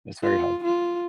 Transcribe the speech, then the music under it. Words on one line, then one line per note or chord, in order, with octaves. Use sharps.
It's very hard.
F4
F4